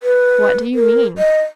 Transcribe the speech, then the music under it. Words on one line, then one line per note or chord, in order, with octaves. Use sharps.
"What do you mean?"
B4
A#4
D#5